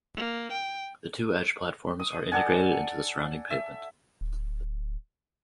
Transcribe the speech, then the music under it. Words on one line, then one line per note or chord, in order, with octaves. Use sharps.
The two edge platforms are integrated into the surrounding pavement.
A#3
G5
D#6
A4 D5 F#5 G#5
E5
D1